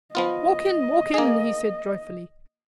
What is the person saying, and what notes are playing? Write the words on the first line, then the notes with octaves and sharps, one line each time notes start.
"Walk in, walk in," he said joyfully.
F3 B3 F4 D#5
A#3 G#4